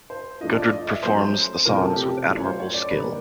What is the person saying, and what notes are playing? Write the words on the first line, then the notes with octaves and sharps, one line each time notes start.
Gudrid performs the songs with admirable skill.
C5
F3 A3 D4 F4 D#5
D5
D#5
E5
F#3 A3 C#4 C5
C3 F3 A3 C#4 A#4
A4
G4
F#3 A3 C#4 F4
C#5
C5
C#5
D5
D3 G3 A#3 D#4 B4